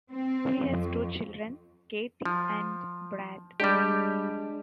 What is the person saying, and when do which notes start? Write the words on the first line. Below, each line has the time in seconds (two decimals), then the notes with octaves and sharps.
He has two children, Katie and Brad.
0.10 C4
0.65 F2
2.25 F3
3.60 G3 G#3 D4 G4